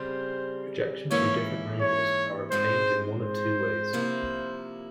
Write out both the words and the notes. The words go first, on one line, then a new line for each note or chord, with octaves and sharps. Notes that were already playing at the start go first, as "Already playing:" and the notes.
Projections from different angles are obtained in one of two ways.
Already playing: C#3 G3 C4 C5
G#2 E3 A#3 C#4 E4 C#5
C#5
G#2 F3 G#3 C4 C5
C5
C3 F3 A#3 E4